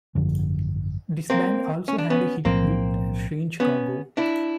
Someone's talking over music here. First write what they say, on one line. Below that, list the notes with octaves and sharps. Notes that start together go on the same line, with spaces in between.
This band also had a hit with Strange Cargo.
G#1 F#2 D3 F3
A#3 C4
C#4
D4
B3 C#4
B1 A2 F3 A#3 C4
B3 C#4
D4 E4